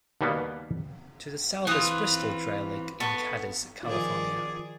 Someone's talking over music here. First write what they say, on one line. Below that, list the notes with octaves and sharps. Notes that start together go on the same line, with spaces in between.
To the south is Bristol Dry Lake and Cadiz, California.
D#2 B2 G3 A#3 B3
E3 C4 F4 B4 D#6
B3 A4 C#6
D#3 F3 F4 G#4 D5